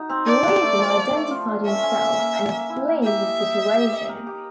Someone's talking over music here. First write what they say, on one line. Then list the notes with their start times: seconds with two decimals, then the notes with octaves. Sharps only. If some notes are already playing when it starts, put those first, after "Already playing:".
Gleason identified himself and explained his situation.
Already playing: D#4 F#4
0.09 C4
0.26 D4 D5
0.44 D4
0.62 A3
0.78 F3
0.97 F3
1.13 A3
1.31 F4
1.48 D4
1.66 C#4 E5
1.83 C#4
2.00 A#3
2.19 A#3
2.35 A#3
2.52 A#3
2.70 E4
2.88 A#3
3.04 G4 E5
3.23 D#5
3.40 D#5
3.57 D#5
3.74 G4
3.92 D#5
4.09 A#4
4.27 G4